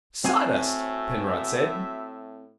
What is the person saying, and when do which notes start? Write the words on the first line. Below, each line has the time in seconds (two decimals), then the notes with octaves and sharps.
"Sawdust," Penrod said.
0.25 A2 C4 F#4 C#5 E5 G#5